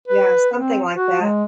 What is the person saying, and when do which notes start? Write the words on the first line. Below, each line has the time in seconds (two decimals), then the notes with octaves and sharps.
Yeah, something like that.
0.08 B4
0.56 C4
0.93 F#4
1.21 G#3